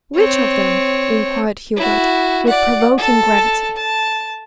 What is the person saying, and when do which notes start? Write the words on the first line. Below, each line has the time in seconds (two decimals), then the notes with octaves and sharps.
"Which of them?" inquired Hubert, with provoking gravity.
0.17 C4 C#5
1.77 E4 F#4
2.47 D5 F#5
2.98 A4 A5
3.76 A5